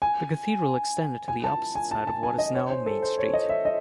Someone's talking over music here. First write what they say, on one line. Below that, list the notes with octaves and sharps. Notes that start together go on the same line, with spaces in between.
The cathedral extended to the opposite side of what is now Main Street.
G#5
G#5
A5
G#5
A5
A5
G#5
D#5
C#5
C5
A4
C5
C#5
D#5
E5
D#5